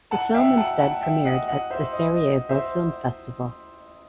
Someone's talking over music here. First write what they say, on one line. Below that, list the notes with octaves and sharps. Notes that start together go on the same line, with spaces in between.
The film instead premiered at the Sarajevo Film Festival.
F#5 A5
E5 G5
F#5 A5
F#5 A5
E5 G5
D#5 F#5
D#5 F#5
C5 E5
D#5
D#5
C5 E5